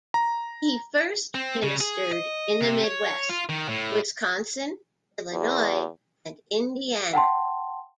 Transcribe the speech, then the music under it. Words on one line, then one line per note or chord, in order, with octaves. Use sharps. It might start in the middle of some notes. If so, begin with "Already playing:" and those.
He first ministered in the Midwest: Wisconsin, Illinois and Indiana.
A#5
C4
C#3
G#4
D#5
C3
C#5
F4
D#3
A2
E2
F#5 G5 A5 C6